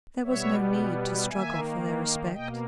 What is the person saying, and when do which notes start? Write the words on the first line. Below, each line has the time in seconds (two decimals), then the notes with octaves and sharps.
There was no need to struggle for their respect.
0.24 B2 G3 B3 C#5 E5
1.28 D#3 A#3 E5 G#5
2.32 B2 A#3 D#5 G5